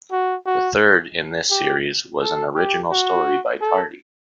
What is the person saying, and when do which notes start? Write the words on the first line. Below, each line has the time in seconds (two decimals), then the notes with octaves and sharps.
The third in this series was an original story by Tardi.
0.12 F#4
0.46 F#4
1.51 G4
2.21 A4
2.56 G4
2.91 F#4
3.61 A4